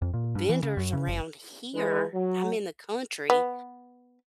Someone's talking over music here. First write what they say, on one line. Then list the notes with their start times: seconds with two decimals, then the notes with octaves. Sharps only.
vendors around here. I'm in the country,
0.02 F2
0.14 A#2
0.35 G2
0.49 E3
0.63 C#3
0.77 F#2
0.93 C#3
1.07 F#1
1.74 E3 G#3 B4
2.13 F#3
3.30 B3